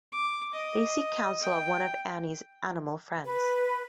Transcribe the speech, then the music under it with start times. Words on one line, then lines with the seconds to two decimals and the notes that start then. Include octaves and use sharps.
They seek counsel of one of Annie's animal friends.
0.12 D6
0.54 D#5
1.41 G5
3.25 B4